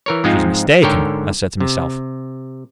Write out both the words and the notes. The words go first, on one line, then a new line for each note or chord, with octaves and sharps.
'She's mistaken, I said to myself.
E3 A#4 C#5
G#2 F3 G#3 C4 D#4 F4
G#2 D3 A4 A#4 C#5 G5
C3